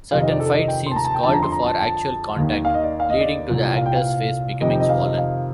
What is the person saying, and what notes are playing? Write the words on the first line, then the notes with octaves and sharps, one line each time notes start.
Certain fight scenes called for actual contact, leading to the actor's face becoming swollen.
F2 C3 D#3 F5
D#5
D5
A4
D#5
G5
C6
A5
A#5
A5
G5
F2 D3 A5
A#5
C6
A#5
A5
A5
D#2 D#3
F5
D#5
D5
F5
D#5
D5
C2 A#2
F5
G5
F5
F2 C3 D#3 D#5
G5
D#5
F5
D#5
F5